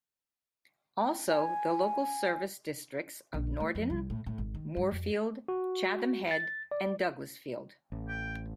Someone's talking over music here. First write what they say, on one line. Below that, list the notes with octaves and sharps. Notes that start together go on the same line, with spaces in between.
Also the local service districts of Nordin, Moorefield, Chatham Head, and Douglasfield.
G#5
A#1
A3
F2
C2
A2
A2
G#1
D#3
G2
F2
F#4
A6
D5
A1
G5